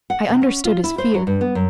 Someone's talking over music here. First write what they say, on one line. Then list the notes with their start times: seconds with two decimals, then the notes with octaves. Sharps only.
I understood his fear.
0.10 F#5
0.29 C3
0.42 C#4
0.65 F4
0.84 E4
0.98 C5
1.14 F#3
1.27 G2
1.41 B3
1.55 F#2